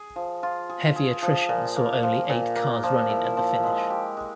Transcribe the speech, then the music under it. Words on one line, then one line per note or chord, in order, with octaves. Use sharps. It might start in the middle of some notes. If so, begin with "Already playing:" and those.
Heavy attrition saw only eight cars running at the finish.
Already playing: G#4
F3
F4
G#4
G#4
F3
A#2
A#3
F3
A#2
A#3
F3
E4
F3
G#3
G4
G#3